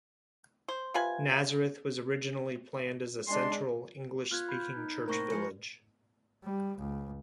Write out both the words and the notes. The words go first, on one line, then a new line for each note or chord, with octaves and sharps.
Nazareth was originally planned as a central English-speaking church village.
C5
C3 F4 B4 G#5
G#3 D4 C6
B3 F4 F6 F#6 G#6
B5 G6
D#4
A2 C3 A#3 A#4 A#5 C#6 A#6
F3 G#3 F4 C#7
G3
C#2